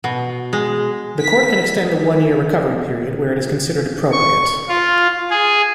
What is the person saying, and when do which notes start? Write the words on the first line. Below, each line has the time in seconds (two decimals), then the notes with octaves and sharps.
The court can extend the one-year recovery period where it is considered appropriate.
0.04 B2
0.53 G#3
1.19 B6
4.12 C#6
4.69 F4
5.31 G#4